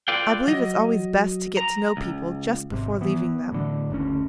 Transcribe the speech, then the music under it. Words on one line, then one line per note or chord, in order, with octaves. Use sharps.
I believe it's always best to get to know people just before leaving them.
F4 A4 B4 D5 F5 G5
F#3 D#5
A#5
C#2
G#1 C3
E3 B3
A2 D3
F#1 D2 C#4